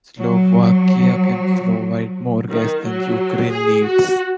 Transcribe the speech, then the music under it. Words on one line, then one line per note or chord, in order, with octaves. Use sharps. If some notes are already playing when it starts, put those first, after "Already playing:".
Slovakia can provide more gas than Ukraine needs.
F#3
D#3
F#3
G#4
F#4